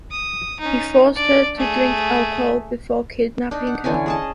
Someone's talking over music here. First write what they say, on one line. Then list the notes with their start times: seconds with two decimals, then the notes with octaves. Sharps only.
He forced her to drink alcohol before kidnapping her.
0.11 D#6
0.60 C#4 D#4
1.15 D4 D5
1.56 A3 G#4
3.51 D4 D#4
3.67 F#5
3.84 D3 E3 C#4 G#5
4.06 G#4 D#5 A5